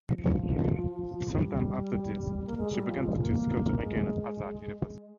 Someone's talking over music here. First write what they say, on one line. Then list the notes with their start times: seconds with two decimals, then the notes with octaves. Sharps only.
Some time after this she began to teach sculpture again at Azad University.
0.09 F3
1.33 G3
2.46 A#3
2.57 G#3
2.72 G3
2.87 F3
3.03 G#3
3.19 A#3
3.80 G#3